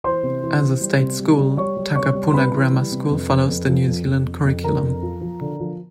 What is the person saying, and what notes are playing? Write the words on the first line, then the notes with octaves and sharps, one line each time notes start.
As a state school, Takapuna Grammar School follows The New Zealand Curriculum.
E3 C5 C6
C3
E3
E3
G3
C3
G3
G3
G3 C#5 C#6
G3
C3 C#5 C#6
G3
C6
C3 B4 B5
E3
G3
C3
F2
F2
F2
F3
F2
F2
F2
F2
D3 A#4 A#5
F2
F3
F3
D3
F3